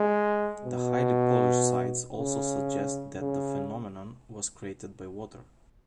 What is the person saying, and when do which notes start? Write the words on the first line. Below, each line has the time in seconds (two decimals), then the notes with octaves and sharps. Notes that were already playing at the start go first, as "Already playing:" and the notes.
The highly polished sides also suggest that the phenomenon was created by water.
Already playing: G#3
0.65 B2
2.18 C#3
3.20 C#3